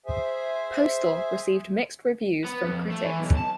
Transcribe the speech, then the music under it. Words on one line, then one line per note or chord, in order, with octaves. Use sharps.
"Postal" received mixed reviews from critics.
G#4 C5 E5 G#5
B3
F2
A3
E3
B1
A5